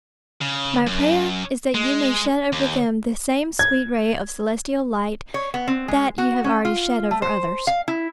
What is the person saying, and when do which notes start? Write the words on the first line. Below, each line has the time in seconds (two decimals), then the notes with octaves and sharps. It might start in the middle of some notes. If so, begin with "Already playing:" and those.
My prayer is that you may shed over them the same sweet ray of celestial light that you have already shed over others.
0.41 C#3
0.87 F#2
1.74 G#3
2.52 D#2
3.59 G#6
5.34 C#5
5.54 B3
5.68 C4
5.88 G#3
6.18 F#4
6.44 C#4
6.65 F4
7.11 A3
7.22 C5
7.67 F5
7.88 E4